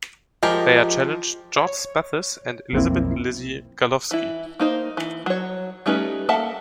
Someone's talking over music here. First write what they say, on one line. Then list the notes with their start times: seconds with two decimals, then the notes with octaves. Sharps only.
They are challenged George Spathis and Elizabeth "Lizzy" Garlovsky.
0.43 F3 G#3 G4 A#4
1.56 C#5
2.73 B1 F2 A#3 C4 E4
4.11 E3 E4
4.60 A#3 D#4 C5
4.97 E3
5.26 F#3 C#5
5.86 G3 A3 C#4 D#4 B4
6.29 A#3 A4 E5 F#5 A5